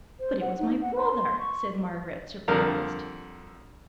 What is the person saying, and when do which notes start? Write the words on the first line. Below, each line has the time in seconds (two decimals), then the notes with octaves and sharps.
'But it was my brother!' said Margaret, surprised.
0.20 C5
0.41 F#5
0.59 D#4
0.82 F#5
0.97 C6
1.39 C#6
2.48 F2 D3 G3 A#4 F5 A#5